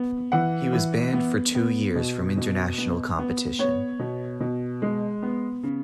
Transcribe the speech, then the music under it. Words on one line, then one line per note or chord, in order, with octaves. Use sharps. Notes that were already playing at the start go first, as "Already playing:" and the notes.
He was banned for two years from international competition.
Already playing: B3
E3 F#5
E3
B3
B3
B2
B2
B3
B3
B3 C#5
B2
B2
G#3
B3
C#3